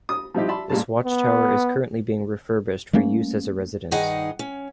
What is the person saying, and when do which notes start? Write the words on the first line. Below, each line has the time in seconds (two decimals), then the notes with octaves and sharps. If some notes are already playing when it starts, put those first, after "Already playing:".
This watchtower is currently being refurbished for use as a residence.
0.09 D#6
0.34 F3 G3 C4 D#4 E4 G4
0.48 D5 E5 A5 B5 C6
0.70 A1 A#2 G3 G#3 A5
1.04 B3
2.93 G3 A3 A#3 C#4
3.91 G2 D#3 D#4 G#4 F#5 G#5
4.39 C#4